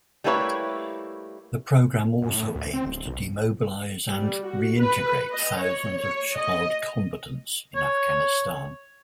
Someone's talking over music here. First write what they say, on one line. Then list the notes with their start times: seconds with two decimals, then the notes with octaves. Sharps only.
The programme also aims to demobilise and reintegrate thousands of child combatants in Afghanistan.
0.24 G3 A3 A#3 E4 B4 C#5
2.22 F#2
2.34 A2
2.55 D2
2.73 C4
2.85 D1
3.05 B1
4.09 G3
4.44 F#4
4.80 B4
5.31 D#5
5.59 C#5
5.98 C#5
6.37 D#5
7.75 C#5